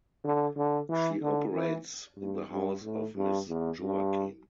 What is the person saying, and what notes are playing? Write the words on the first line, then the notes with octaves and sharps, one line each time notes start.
She operates the House of Miss Joaquim.
D3
D3
E3
D3
E3
G2
G2
A2
G2
E2
G2